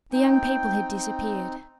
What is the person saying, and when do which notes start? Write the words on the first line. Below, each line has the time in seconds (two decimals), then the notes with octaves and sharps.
The young people had disappeared.
0.12 C4 D#4 G5